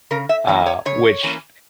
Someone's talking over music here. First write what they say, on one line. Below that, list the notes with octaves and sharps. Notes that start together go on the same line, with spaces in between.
uh, which,
C#3 A#4
E5
E3 A#3 C#4 C#5
C#5
C#3 C#5
E3 A#3 C#4